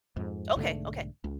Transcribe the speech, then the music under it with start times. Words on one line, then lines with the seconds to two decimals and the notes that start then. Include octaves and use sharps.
Okay, okay.
0.16 F2 G#2
0.56 B1 G#2 D3 A3
1.24 C#2